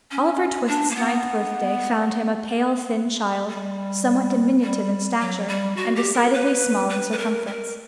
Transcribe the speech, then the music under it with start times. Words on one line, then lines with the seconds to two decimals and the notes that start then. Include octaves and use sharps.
Oliver Twist's ninth birthday found him a pale thin child, somewhat diminutive in stature, and decidedly small in circumference.
0.11 C#4
0.68 D4
0.91 A#3
0.95 B3
3.50 G3
4.63 G3
5.20 F#3
5.48 G3
5.77 F#4
5.96 G4
6.14 A#4
6.33 B4
6.90 B4
7.12 B4
7.18 A#4
7.47 A#4